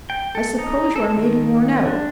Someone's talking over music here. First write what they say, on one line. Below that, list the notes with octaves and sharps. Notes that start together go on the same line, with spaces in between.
I suppose you are maybe worn out.
G5
A4
D#4
A4
D#3
D4